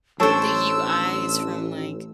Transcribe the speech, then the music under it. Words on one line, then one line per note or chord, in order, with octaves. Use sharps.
the UI is from, like,
A1 D4 A4 C5 C#5 A5 E6